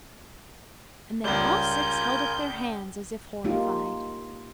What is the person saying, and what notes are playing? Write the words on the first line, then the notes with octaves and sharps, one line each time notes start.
And then all six held up their hands as if horrified.
C#2 G3 F4 A#4 G#5 G6
G#3 A#3 D#4 F4 G4